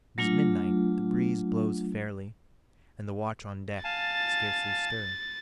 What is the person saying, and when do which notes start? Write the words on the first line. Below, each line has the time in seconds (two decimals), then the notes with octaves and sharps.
It is midnight; the breeze blows fairly, and the watch on deck scarcely stir.
0.18 F#3 A3 D4 F4
3.84 F5 G#5 A5 A6